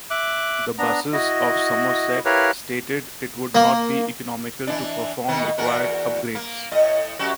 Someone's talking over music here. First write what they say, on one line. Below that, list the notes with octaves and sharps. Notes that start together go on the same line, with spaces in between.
The Buses of Somerset stated it would not be economical to perform required upgrades.
E5 D6 F#6
B3 D4 A#5
E4 F#4 D#5
E4 G4 A#4 B4 C#5 F5
A#3
E3 D4
B2 D#3 B3
E2 F#4 A#4
A#3
A2 D#5
F#2 F#4 G4